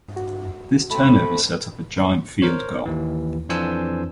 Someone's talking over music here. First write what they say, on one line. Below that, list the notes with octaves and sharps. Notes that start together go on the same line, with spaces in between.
This turnover set up a Giant field goal.
F#4
A3 C4 B5
A#4 C5 C#5
D#2 E3
F2 E3 D4 C5 G#5 E6